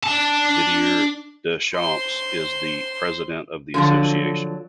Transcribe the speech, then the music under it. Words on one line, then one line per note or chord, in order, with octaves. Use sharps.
Didier Deschamps is the president of the association.
D4 A5
C5 C6
D3 F3 F#3